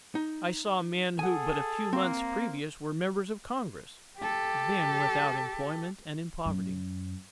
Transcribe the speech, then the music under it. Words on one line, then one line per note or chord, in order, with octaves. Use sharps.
I saw men who but a few months previous were members of Congress, then without employment and in poverty.
D#4
G#4 A4 F#5 G#5
A#3 C4
G4 A4
F#2